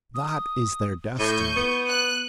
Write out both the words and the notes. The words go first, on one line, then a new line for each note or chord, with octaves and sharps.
That is their destiny.
D#6
A2 C#6 G6 D#7
B3
F#6